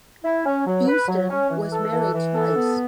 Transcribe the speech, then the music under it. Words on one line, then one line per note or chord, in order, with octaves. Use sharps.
Buston was married twice.
E4
C#4
F#3
B4
F#3
C#4
E3
A4
E3
E3
A4
B3